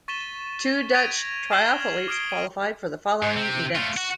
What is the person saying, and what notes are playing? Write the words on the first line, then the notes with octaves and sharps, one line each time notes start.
Two Dutch triathletes qualified for the following events.
C#6 A6 B6 D#7 E7 G7
G#6 A#6 B6 D7 D#7 F7
D6 F6 C7 E7 F#7 G7
F6 G#6
D6 D#6 F6 C7 D7 G7
D7 D#7
G#2
C3 C4
A3 F4
F#4